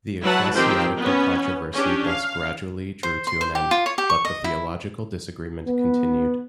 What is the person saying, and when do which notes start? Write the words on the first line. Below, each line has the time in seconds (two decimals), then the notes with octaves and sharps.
The ecclesiastical controversy thus gradually drew to an end, but theological disagreement continued.
0.21 F#3 E4 B4 F#5 A5
0.54 D#3 F3 C4 G4 C5 G5
0.98 B3 C#4
1.73 C#4 D4 G4
2.07 F5
3.03 C5
3.27 C6
3.41 C5
3.55 G4
3.71 F4
3.86 C#5
3.98 G4
4.10 C#6
4.25 D#5
4.44 E4
5.68 B3